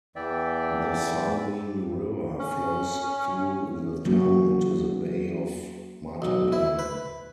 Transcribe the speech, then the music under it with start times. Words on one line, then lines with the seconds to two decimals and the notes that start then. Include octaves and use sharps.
The Salween River flows through the town into the Bay of Martaban.
0.16 E2 E3 D5 E5 G5
2.40 C#4
4.06 F#3 A#3 C#4 F#4
6.22 B1
6.52 E4
6.79 B4